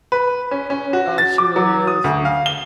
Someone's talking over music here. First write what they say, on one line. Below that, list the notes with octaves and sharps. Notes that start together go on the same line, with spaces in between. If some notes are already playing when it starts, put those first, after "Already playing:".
Oh, she really is.
B4
C#4
C#4
F#4
A6
D6
F#3
D#6
D2
F5
G7